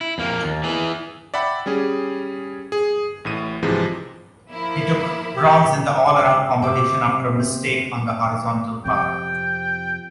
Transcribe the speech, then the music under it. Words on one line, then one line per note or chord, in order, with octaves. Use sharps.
He took bronze in the All-Around competition after a mistake on the horizontal bar.
E4
F2 A#3
D#2
E3 G#4
D5 E5 F#5 G5 B5
G3 C#4 G#4
G#4
A1 A2 D#7
G#2 C3 E3 F3 G#3
F3 A#3 E4
G4
C3 E5 D6
F2 C3 G5